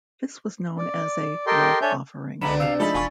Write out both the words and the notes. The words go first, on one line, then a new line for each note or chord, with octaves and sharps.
This was known as a "love offering".
D5
G4 A4 A#4 D#5 G5 C6
D4 A4 C#5 E5 G#5 G6
C#2 B2 D3 D4 A#5 B5 E7
C3 F5 E6
F3 G#3 A3 D#4 A4 B5
E1 F4 F5 G#5 C#6